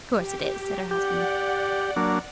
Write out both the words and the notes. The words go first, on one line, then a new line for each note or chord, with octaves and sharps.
"Course it is!" said her husband.
G4
G4 D5 F#5
F#3 A#3 D4